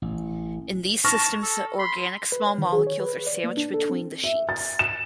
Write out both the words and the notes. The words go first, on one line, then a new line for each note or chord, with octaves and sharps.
In these systems the organic small molecules are sandwiched between the sheets.
A1
A5 C#6 F6 A#6
A4
B5 C6
B4
C#5
D#3
G#4
C#5
B4
D5
A#3
D4
A4
C4
E5
A6
E7